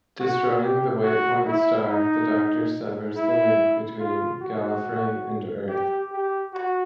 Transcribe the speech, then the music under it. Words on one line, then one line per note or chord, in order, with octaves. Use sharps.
Destroying the White Point Star, the Doctor severs the link between Gallifrey and Earth.
F#4
G4
F#4
E4
D#4
E4
F4
F#4
G4
G4
F#4